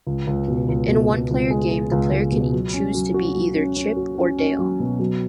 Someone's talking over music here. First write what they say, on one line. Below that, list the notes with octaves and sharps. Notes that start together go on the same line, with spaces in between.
In a one-player game, the player can choose to be either Chip or Dale.
C#2
C#2
B2
C#2
B2
B2
C#2
G#3
G#3
C#2
C#2
B2
F#3
C#4
F#3
F#4
F#3
C#4
C#4
F#4
C#4
C#4
F#3
B2
F#3